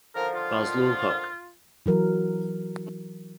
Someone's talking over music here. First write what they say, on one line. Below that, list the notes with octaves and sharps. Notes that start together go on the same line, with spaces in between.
Fazlul Huq.
D3 D#3 F3 A#4
F4
E3 F#3 A#4